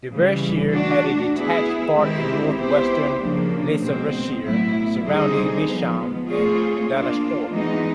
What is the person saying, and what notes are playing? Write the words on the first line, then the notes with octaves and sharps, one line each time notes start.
Derbyshire had a detached part in north-western Leicestershire, surrounding Measham and Donisthorpe.
C#3 E3 G3
A3 D4 F#4
B3 E4 G#4
D#3 G#3 C4 E4 G4
B3 E4 G4 C5
C#3 F3 A#3 D4
B2 G#3 C4
A2 F#3 B3 E4
D3 G3 C4 D#4 G#4
F3 G#3 B3
A3 C4 F4 G#4 C#5
A#3 D4 F4
E3 G#3 B3 D#4